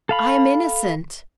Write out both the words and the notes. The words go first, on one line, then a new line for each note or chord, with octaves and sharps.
"I am innocent."
A4 F5 B5